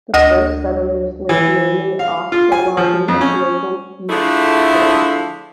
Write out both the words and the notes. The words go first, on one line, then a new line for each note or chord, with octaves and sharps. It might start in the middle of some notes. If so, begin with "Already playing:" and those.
The first settlers lived mainly off the logging of local beech forests.
D2 D#5 D#6 A#6
E3
F5
F4
G#5
F3
F2
C#4
D3 F3 A3 D4 E4 G#4